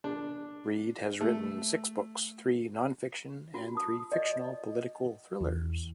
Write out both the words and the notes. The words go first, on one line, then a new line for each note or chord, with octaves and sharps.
Reed has written six books; three non-fiction and three fictional political thrillers.
D4
A3
F4 F#4
A5 D#6
D5 D#5
E2